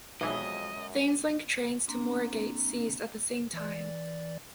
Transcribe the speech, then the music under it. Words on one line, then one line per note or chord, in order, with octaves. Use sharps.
Thameslink trains to Moorgate ceased at the same time.
B1 F2 E3 F#3 G#3 D#5 E5
F#2
A#3 C4 D4
E3 D5